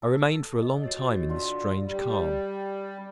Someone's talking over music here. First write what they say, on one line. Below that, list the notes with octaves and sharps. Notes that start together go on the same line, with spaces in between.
I remained for a long time in this strange calm.
A4
D#5
F#4 C#5 A6
D3 F4
G3